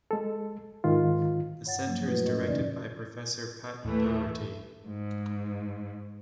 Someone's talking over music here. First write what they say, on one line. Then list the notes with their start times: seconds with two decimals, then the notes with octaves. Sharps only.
The centre is directed by Professor Pat Doherty.
0.11 G#3 A4
0.84 G#2 D#3 F4
1.66 G2 C#5 F#5 A6
1.86 F3 F#3 A#3
2.05 B2 A3 E4 F#4 B4
2.25 F#2 A2 C#4 D#5
2.43 E2 C#3 E3 C#4 D#4 D5
3.84 D#2 A2 E3 A3
4.87 G#2